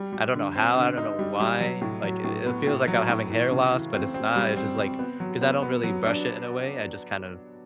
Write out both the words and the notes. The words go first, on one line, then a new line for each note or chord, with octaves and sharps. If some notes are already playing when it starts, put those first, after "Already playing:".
I don't know how, I don't know why, like i it feels like I'm having hair loss, but it's not, it's just, like 'cause I don't really brush it in a way, I just, kind of
Already playing: G3
G3
D3
C4
D3
D#4
G3
G3
F#3
A2
F#3
A2
B3
A2
F#3
A2
E3
C#3
E3
C4
C4
G3
C4
C4
B3
F#3
B3
B3
F#3
D4